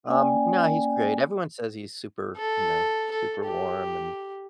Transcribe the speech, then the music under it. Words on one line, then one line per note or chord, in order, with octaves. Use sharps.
Um, no, he's great, everyone says he's super, you know, super warm and
A#3 C#4 D5 G5 G#5
A4
A4
G4